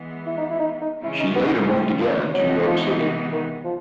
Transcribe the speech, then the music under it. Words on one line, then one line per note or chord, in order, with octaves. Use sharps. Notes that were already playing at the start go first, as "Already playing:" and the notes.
She later moved again to New York City.
Already playing: E3 G#3 B3
E4
D#4
E4
D#4
D#4
C#3 E3 G#3 C#4 E4 F4
D#4
B3
C4
A#3
C3 E3 F#3 G#3 B3 D#4
F3
D#3
D#3
F3